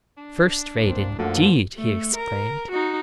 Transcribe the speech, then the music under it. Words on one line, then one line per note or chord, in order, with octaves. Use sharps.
'First rate, indeed!' he exclaimed.
D4
C2 A#3 C4
F#2 D3 F3 A3 A#3 F#4 F5
A3
A#4
D#4 F#4